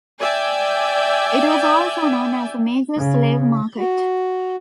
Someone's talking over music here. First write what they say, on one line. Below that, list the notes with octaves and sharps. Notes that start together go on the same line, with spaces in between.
It was also known as a major slave market.
D5 E5 G5 G#5
C#3
F#4